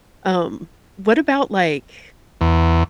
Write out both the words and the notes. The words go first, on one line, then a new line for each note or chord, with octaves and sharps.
Um, what about like
E2